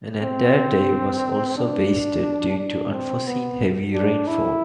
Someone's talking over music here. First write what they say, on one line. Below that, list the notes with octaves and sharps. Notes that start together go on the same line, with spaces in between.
An entire day was also wasted due to unforeseen heavy rainfall.
C4
D4
D4
C4
B3
D4
E4